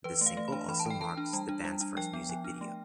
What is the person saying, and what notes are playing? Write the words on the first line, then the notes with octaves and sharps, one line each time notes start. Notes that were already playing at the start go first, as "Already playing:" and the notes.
This single also marks the band's first music video.
E3 B4
A3
F5
A3
D4 B5
E3 B5
A5
E3
G5
E3 A5
D4
G3
D4
G3
D4
F3 G5
B3
F3
D4
A3